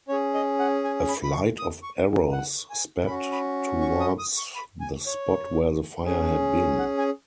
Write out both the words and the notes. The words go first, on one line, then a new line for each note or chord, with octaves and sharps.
A flight of arrows sped towards the spot where the fire had been.
C#4 G#4 C#5
D#5
F#5
G#5
B5
B5
C#6
D#6
C#6
F#5
G#5
C#4 F#4 B5
B5
C#6
D#6
D#6
C#6
B5
G#5
C#5
C#4 G#4
F#5
G#5